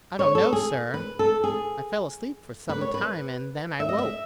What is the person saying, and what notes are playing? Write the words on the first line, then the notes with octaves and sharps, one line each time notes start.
"I don't know, sir; I fell asleep for some time, and then I woke! . . ."
C#5
A4
G#4
B4
A4
G#4
B4
C#5
B4
E5
D#5
E5